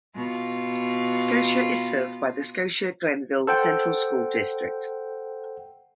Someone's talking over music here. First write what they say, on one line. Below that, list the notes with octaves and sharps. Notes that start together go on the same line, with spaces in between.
Scotia is served by the Scotia-Glenville Central School District.
B2 F4
A4 C5 F#5 G5